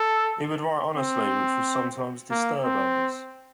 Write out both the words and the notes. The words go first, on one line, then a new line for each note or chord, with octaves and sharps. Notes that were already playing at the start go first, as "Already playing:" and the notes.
He would write honestly which would sometimes disturb others.
Already playing: A4
C4
A#3
C4